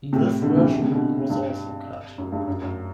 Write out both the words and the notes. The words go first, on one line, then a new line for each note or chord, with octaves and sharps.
This version was also cut.
A2 C3
B2 D3
C3 E3
D3
C3
B2 D3
G2
F#2
G2
F#2
F#2